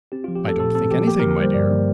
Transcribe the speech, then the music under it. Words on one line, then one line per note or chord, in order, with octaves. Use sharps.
"I don't think anything, my dear."
C4 G4
F3 F4
G4
A3 A4
A#2 A4
C4 A4
F3 G4
A#3 G4
A#4
D3
A#4
G3 C5
G2 D5
A#3